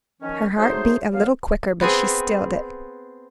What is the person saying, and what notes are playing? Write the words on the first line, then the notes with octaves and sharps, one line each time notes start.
Her heart beat a little quicker; but she stilled it.
D#3 F3 C#4
F#3 A3 D#4 G#4 C5
G2 C#3 F#3 B3 F5
B3 C4 G#4